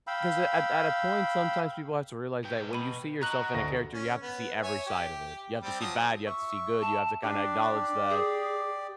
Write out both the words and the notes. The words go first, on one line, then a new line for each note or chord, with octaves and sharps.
'cause at at a point, sometimes people have to realize that when you see yourself in a character, you have to see every side of it. You have to see bad; you have to see good; you have to kinda acknowledge that
F5 G5 B5 E6
B2 G5
B5 D#7
F#4 D#5 A#5 F#6 F#7
D2 A#6
C#4
B3
C#5 E5 G#5
G4
G3 C4
F3 F#3 D#6
E5 C#6
A5
D4 G4 D5
G#4